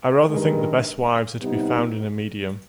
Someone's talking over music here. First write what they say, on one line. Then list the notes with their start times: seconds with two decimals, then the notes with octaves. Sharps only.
I rather think the best wives are to be found in a medium.
0.29 G2 D#3 G#3
1.40 C3 G3 B3 D#4